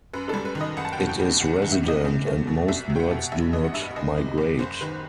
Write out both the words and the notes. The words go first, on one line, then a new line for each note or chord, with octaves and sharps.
It is resident, and most birds do not migrate.
F#2 B4
G3 A4
B4
D#3
D#5
F#1 F#5
A5
G5
B2
G5
E2
C2 F#5
F#5
D#3
E5
C3
D#5
E2
A3
B2
C2 E5
F#3
G5
F#5
B2
A1 E5
E3 D#5
F#5
G2 E5
F#1 D#5
C3
E2
F#1 C5
D#3 B4